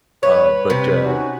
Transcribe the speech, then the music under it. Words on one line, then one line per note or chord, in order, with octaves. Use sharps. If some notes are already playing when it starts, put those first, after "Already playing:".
uh, but, uh,
G2 B4 C#5
C3
C#4 D#4 F#4